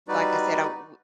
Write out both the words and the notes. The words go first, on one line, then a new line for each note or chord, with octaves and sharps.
like I said, I w
G3 D#4 F#4 B4 D5